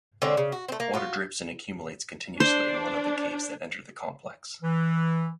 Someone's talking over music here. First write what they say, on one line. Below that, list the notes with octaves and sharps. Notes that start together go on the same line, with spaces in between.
Water drips and accumulates continuously in one of the caves that enter the complex.
D3 G#3 C4 C#4
C#3
F#4
A3 C4
A#3
F4 F#4
D4 C5
E3